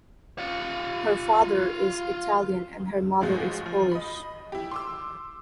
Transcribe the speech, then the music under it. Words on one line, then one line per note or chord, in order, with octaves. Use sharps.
Her father is Italian and her mother is Polish.
F4 F#5
C#2 A2 F3 G#3 F#4
F3
D#5 B5
E4 G4
C6 D6 E6